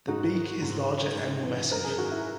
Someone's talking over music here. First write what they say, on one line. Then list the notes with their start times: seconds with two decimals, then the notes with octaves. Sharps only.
The beak is larger and more massive.
0.07 G#2 D#4 F#4
0.35 D#3
0.62 G#2
0.89 D#3
1.16 G#2
1.43 E3
1.71 F#2 A#4
1.85 G#4
1.98 D#3 F#4
2.11 E4